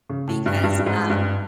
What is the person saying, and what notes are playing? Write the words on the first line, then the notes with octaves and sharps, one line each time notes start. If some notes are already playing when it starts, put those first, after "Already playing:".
because, um,
C#3
A2
G2
G2
G2
G#2
G2